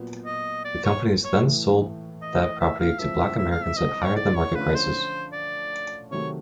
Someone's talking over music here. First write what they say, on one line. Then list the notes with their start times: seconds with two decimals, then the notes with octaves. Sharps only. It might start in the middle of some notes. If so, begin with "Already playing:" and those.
The companies then sold that property to black Americans at higher-than-market prices.
Already playing: A#2 F#3 B3
0.25 D#5
0.64 D5
0.85 C#5
1.24 C#5
1.43 A2 E3 A3
2.22 D#5
2.41 D#5
2.60 E5
2.79 F5
2.99 F3 G#3 C4 E4 E5
3.37 E5
3.51 F5
3.64 E5
3.76 D#5
4.04 C#5
4.15 D5
4.35 C#5
4.55 D3 F3 A3 C#4 F4 B4
4.74 C5
5.33 D5
6.11 C3 D#3 F#3 A3 C#5